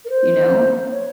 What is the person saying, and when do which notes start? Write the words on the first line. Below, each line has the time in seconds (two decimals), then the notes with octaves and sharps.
you know?
0.05 A#4
0.10 C5
0.91 C#5